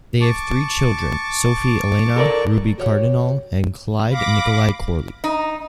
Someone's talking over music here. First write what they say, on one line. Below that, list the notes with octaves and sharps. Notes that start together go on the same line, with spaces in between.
They have three children: Sophie Elena, Ruby Cardinahl and Clyde Nikolai Corley.
A5 C#6 D6
A4 A#4 D5
F#4 G4 C#5 E5 F#5
F5 B5 D6 A#6
D#4